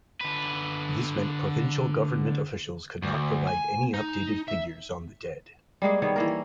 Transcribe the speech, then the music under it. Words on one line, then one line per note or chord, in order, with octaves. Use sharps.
This meant provincial government officials could not provide any updated figures on the dead.
D3 B4
D2
G#5
D#4
E5
G3 G#3 A#3 G#4
D#3 G3 B3 C#5
E3 A#3 A#4